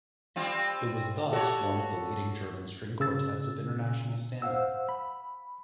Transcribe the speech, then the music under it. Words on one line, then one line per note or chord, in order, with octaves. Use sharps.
It was thus one of the leading German string quartets of international standing.
G3 C4 F4
F#4 G4 A4 C#5
C#3 E6 A6
C5 F5 F#5 E6
B5